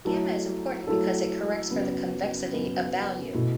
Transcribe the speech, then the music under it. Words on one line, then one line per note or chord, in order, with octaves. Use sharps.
Gamma is important because it corrects for the convexity of value.
F#3 A3 E4 A4
F#3 A3 E4 A4
F#2 C#3 F#3 B3
F#2 C#3 F#3 B3
B2 A3 E4